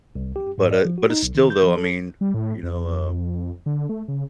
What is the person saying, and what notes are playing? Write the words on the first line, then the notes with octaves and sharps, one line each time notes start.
But, uh but it's still, though, I mean, you know, uh,
C2
G4
G#2
D5
F3
F#4
D#4
B1
D#3
G6
F3
A4
G3
A2
F2
F2
D3
A3
C#3